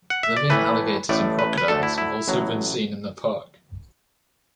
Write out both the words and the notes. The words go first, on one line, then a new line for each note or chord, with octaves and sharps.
Living alligators and crocodiles have also been seen in the park.
F#5
E5
D5
A2 E3 A3 B4
A1 A2 A3 D5
B4
B4
D2 D3 A3 A4
E4
E4
A1 A2 F#3